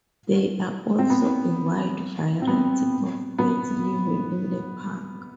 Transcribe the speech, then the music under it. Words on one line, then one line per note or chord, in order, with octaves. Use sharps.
There are also a wide variety of birds living in the park.
C4
B3
C4
B3
B3